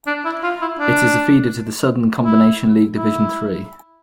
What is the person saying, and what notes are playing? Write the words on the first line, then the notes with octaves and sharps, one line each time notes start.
It is a feeder to the Southern Combination League Division Three.
D4
E4
F4
E4
D4
E4
E4